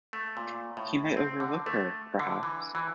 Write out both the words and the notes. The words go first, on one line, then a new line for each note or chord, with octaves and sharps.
He might overlook her, perhaps!
A3
A#2
A2
C4
D3
A3
D3
E3
E3